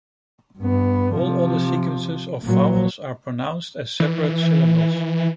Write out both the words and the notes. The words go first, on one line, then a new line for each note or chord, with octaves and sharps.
All other sequences of vowels are pronounced as separate syllables.
G2 B3
C3 F3
A#2 F#3
E3